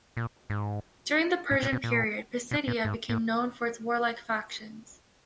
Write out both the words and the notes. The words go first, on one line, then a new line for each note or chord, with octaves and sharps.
During the Persian period, Pisidia became known for its warlike factions.
A#2
G#2
A2
A#2
B2
A#2
B2
A#2
G#2
A2